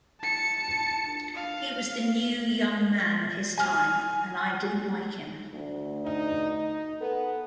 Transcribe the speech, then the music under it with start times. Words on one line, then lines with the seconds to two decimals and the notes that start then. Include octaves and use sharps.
He was the New Young Man of his time and I didn't like him.
0.21 A5 C#7
1.34 F5
3.58 G#5 F6
5.53 D2
6.05 D#4
6.50 D#4
7.01 B3 A4